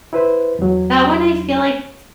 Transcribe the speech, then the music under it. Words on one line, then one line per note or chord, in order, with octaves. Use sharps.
that one I feel like,
E4 B4 C5
E2 F#3